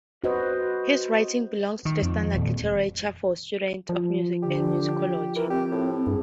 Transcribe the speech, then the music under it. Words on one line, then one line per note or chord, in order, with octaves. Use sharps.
His writings belong to the standard literature for students of music and musicology.
F#4 B4 C5 D#5
D#3
F2
D#1
F3
D3 G4
E3 A#4
C4 G4
A2
G2 G#4